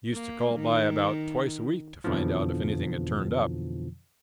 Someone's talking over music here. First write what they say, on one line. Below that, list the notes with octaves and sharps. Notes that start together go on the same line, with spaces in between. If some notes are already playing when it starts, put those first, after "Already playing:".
Used to call by about twice a week to find out if anything had turned up.
A#3
D#3
F2 B2 D3 E3 F3